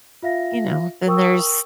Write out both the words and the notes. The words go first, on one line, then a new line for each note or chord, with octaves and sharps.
you know, then there's
F4 E5 F5 A#6
A#4 G5 C#6 D#6 E6